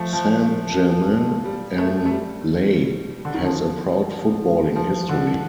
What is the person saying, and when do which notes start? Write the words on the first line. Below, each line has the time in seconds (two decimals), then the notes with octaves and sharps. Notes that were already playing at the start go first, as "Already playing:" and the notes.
Saint-Germain-en-Laye has a proud footballing history.
Already playing: F3 A3
0.13 F3
1.45 G3
1.79 A3
2.06 A3
2.11 G3
3.25 D3
3.34 D#3
3.44 F3
4.76 F3
5.09 D3